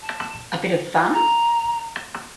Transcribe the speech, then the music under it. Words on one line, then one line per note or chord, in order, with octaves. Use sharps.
A bit of fun?
A5
A#5